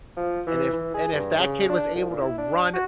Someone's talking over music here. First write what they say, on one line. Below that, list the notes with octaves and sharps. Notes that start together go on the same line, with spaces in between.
and if And if that kid was able to run
F3
E3
E3
G#4
G2
C#3
D4
C2
A#2
E4
D4
F#4